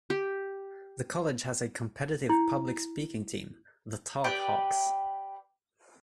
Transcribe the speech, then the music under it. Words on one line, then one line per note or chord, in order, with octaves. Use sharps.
The college has a competitive public speaking team, the Talk Hawks.
G4
E4
G4 B4 D5 G5